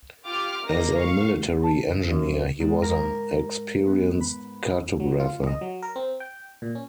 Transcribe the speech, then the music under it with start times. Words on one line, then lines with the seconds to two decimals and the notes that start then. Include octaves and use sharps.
As a military engineer, he was an experienced cartographer.
0.25 F4 G4 D6 F6
0.63 A#3 D#4 A#6
0.94 F5 C#6
1.63 A5
2.11 F#2
2.60 G#2
2.82 A#4
3.87 B3
4.21 B5
5.00 F#3
5.20 F4
5.47 D#5
5.61 F#3
5.82 A#4
5.96 C4
6.20 G5
6.62 A#2
6.75 C#4